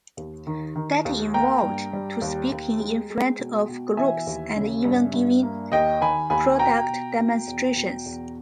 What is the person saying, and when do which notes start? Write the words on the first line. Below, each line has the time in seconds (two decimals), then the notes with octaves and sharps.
That evolved to speaking in front of groups and even giving product demonstrations.
0.17 D#2
0.47 D#3
0.76 D#3
1.05 D#2
1.34 A#3 G5 A#5
1.63 G2
1.93 G3
2.22 D#2
2.52 D#2
2.80 G#3
3.10 G#3
3.39 B2
3.68 B2
3.97 E3 E5 G#5
4.27 D#2
4.56 C#3
4.85 G2
5.14 G2
5.43 A#3
5.72 D#2 D#5 G5
6.01 D#3 G#5 B5
6.30 D#2 G#5 B5
6.59 B2 G5 A#5
6.89 B2
7.18 B2
7.47 E2
7.76 B2
8.06 E2